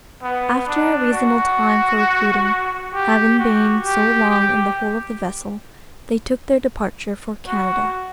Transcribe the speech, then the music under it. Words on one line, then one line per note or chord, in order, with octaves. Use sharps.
After a reasonable time for recruiting, having been so long in the hole of the vessel, they took their departure for Canada.
B3
D4
F#4
G4
F#4
G4
G4
F#4